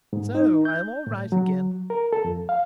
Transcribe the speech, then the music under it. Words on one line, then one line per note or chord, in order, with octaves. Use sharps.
So I am all right again.
G#2
D#4
G6
A2
F#3
A#4
A4
F2
F5